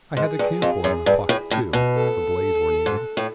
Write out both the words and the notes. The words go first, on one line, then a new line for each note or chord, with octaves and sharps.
I had the camphor in my pocket, too, if a blaze were needed.
G#2 G#4
G2
F2
F#2
G2
A2
A2
B2
A4
G#2
A2